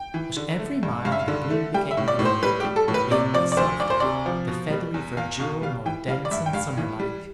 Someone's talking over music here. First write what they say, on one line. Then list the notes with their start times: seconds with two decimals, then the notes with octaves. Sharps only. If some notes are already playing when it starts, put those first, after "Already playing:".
With every mile the blue became bluer, the wind softer, the feathery verdure more dense and summer-like.
Already playing: G5
0.14 E3
0.37 D3
0.60 A3
0.83 G2
1.05 G2 F5
1.12 E5
1.19 F5
1.28 D3
1.50 A3
1.74 G3 G5
1.91 E5
1.97 A2
2.08 D5
2.19 A2
2.25 C5
2.43 G3 B4
2.60 G4
2.65 G3
2.76 A4
2.88 A2
2.94 B4
3.11 C3 D5
3.34 F3 D5
3.52 D5
3.57 D2 C5
3.80 D2 D5
3.90 C5
4.00 C3 D5
4.26 F3
4.48 B2
4.71 G3
4.94 E2
5.17 E2 F5
5.39 B2 F5
5.62 G3 F5
5.86 E3 G5
6.08 G3 F5
6.25 D5
6.31 G2 E5
6.46 G5
6.53 G2 F5
6.77 E3
7.00 G3